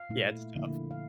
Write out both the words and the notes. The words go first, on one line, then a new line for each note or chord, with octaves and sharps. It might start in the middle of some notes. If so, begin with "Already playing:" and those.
Yeah, it's tough.
Already playing: F5
A#2 A3 E4
D3 F3 A#3 E4
F5